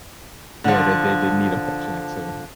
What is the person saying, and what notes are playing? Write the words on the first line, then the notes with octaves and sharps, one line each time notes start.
Yeah, they they they need affection, I'd say.
D3 F3